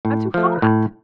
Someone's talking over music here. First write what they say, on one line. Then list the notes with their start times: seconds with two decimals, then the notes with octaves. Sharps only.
"I'm too hot."
0.05 A2
0.34 F3 A3
0.62 A2